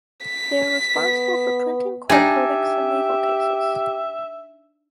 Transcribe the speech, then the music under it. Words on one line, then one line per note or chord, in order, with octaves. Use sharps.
They are responsible for printing court verdicts and legal cases.
B6
B3
D4 D#4 G4 E5 G#5